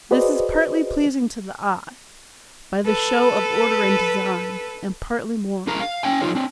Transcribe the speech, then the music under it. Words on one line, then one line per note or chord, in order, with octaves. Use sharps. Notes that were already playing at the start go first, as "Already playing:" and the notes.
This is partly pleasing to the eye, by the show of order and design, and partly moral.
F#4 G#4 B4 C5 D5 D#5
A4 B4
D4 G#4 A#4 A#5
F5
C#4 G5 G#5
F3 F#3 D#4 F4 G#4 C#5
C4 D4